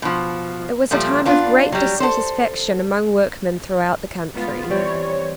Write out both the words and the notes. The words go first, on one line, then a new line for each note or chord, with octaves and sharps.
It was a time of great dissatisfaction among workmen throughout the country.
B2 F3
A#2 F3 G3 A3
B3 D4 F4
F#3 G3
A4 C5
G#3 B3 F4
E3 G3 C4 C#5